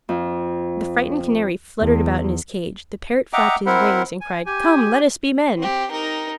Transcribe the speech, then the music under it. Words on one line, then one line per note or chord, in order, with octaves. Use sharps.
The frightened Canary fluttered about in his cage; the Parrot flapped his wings, and cried, "Come, let us be men!"
F2
E2
D#5 E5 F#5 G5 A#5 D6
C4 E4 A#4 C5 F#5 B5
G#5
G4 G#5
C4 G4
D#4 A#4